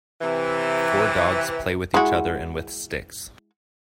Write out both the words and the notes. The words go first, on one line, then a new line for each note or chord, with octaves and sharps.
Four dogs play with each other and with sticks.
C3 E3
G#3 E4 F#4